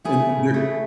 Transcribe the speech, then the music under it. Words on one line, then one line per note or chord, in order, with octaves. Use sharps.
and there
A3 E4 G#4
C#3
A3